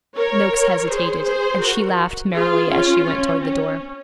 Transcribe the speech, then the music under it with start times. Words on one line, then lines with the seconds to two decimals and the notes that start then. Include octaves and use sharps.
Noakes hesitated, and she laughed merrily as she went toward the door.
0.16 A#4 C#5
0.89 G#4 C5
1.25 G#4 C5
1.61 F#4 A#4
2.33 F4 G#4
2.69 C#4 F4
3.05 C#4
3.42 C#4